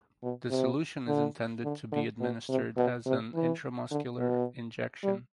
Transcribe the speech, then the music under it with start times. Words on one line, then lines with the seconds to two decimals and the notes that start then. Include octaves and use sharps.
The solution is intended to be administered as an intramuscular injection.
0.23 B2
0.51 C3
1.08 D3
1.64 D3
1.92 D3
2.20 B2
2.49 C3
2.77 B2
3.06 C3
3.34 E3
3.91 D3
4.18 B2
5.04 G3